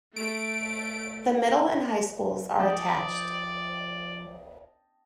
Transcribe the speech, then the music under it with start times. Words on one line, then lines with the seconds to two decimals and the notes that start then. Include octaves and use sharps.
The middle and high schools are attached.
0.16 A3 D7
2.59 F3 D5 D#5 G5 A5